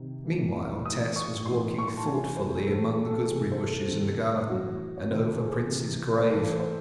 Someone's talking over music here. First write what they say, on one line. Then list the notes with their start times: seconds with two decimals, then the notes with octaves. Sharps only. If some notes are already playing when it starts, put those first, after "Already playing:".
Meanwhile Tess was walking thoughtfully among the gooseberry-bushes in the garden, and over Prince's grave.
Already playing: C3 D#3
0.25 A2 E3
0.85 A2 E3 D#6
1.16 C#6
1.46 A2 E3 C6
1.78 C#6
1.88 C6
1.97 A5
2.06 C3 E3 G#5
2.37 C5
2.55 G#4
2.66 A2 E3 A4
2.87 G#4
3.07 A4
3.27 C3 E3 G#4
3.52 C5
3.57 A4
3.88 C3 D#3
4.48 A2 E3 F#4
4.98 C#5
5.09 C3 D#3 C5
5.25 A4
5.39 G#4
5.69 C3 E3
6.18 C5
6.29 A2 E3 A4
6.60 C5